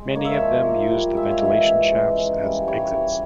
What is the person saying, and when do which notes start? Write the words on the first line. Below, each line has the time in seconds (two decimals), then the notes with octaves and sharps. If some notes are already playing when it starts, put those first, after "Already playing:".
Many of them used the ventilation shafts as exits.
Already playing: G#3
0.15 A#3 C#5
0.25 E5
0.34 C#5
0.41 F3
0.66 A#3
0.91 G3
1.16 G#3 E5
1.31 C#5
1.42 E3 E5
1.67 C#4
1.92 G#3
2.18 C#4
2.43 G3
2.68 G3 C#5
2.94 E3